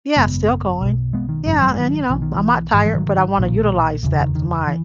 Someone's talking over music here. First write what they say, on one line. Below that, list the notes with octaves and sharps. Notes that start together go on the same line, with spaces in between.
Yeah, still going. Yeah, and, you know, I'm not tired, but I wanna utilize that my
G#1 F#2 C#3 G#3 B3
B1 B2
G#3 B3
D#3
G#1 F#2 C#3
F#3
G#3
D#3 F#3
B1 B2 E3
D#3
E3
G#1 G#2 E3
E3 G#3
D#3 F#3
D#3 F#3
D#3
B1 A#2 D#3
F#1 E2 C#3 E3
D#3
D#3
E3